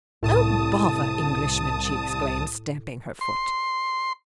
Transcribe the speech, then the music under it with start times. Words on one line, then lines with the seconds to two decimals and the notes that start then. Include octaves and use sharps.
"Oh, bother Englishmen!" she exclaimed, stamping her foot.
0.23 C2 A2 A5 D#6
3.21 C6